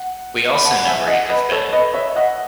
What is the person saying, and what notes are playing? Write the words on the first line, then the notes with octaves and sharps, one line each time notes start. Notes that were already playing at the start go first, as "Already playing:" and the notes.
We also know where you have been.
Already playing: F#5
B5
F#5 A5
F#5
E5 G#5
D#5 F#5
B4 D#5
A4 C#5
B4 D#5
C#5 E5
D#5 F#5